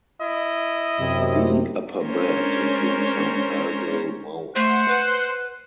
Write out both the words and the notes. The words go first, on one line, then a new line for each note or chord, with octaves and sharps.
The upper beds include some algal mounds.
E4 D#5
F#2 C3
G#3 C#4 D4 A#4 C5 C#5
A3 C5 F#5
B4